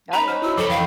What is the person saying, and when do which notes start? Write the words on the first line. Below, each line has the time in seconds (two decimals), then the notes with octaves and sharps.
Oh, yeah.
0.13 C#4 D#4 B4 A#5
0.28 C5 F6
0.42 E4 F#4 E6
0.58 F2 A4 C5 B5 D6
0.70 D#3 E3 F5 G5